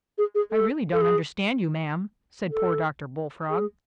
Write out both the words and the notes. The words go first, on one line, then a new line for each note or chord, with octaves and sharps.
"I really don't understand you, ma'am," said poor Dr. Bullfrog.
G#4
G#4
A4
A4
G#4
A4
G#4